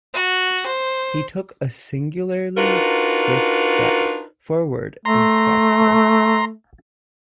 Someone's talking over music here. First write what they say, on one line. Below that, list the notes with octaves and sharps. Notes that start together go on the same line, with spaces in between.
He took a singularly swift step forward and stopped her.
F#4
C5
D4 D#4 F4 F#4 A#4 B4
A3 A#5 C6